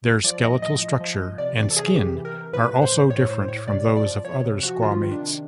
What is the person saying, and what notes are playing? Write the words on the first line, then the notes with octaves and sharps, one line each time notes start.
Their skeletal structure and skin are also different from those of other squamates.
F3 D5
A2 D#5
F3 D#5
F3
F3
F3
C3 D5
E3 D5
A4
C3 G#4
E3 G4
E3
A#4
C3
A2 B4
A2
C5
E3
A2 C#5
A2 C5
A2 C#5
C3 D5
F3
D5
F3
F3 C#5
C3
F3 F#4
D#3 F4
D#3
D4
C3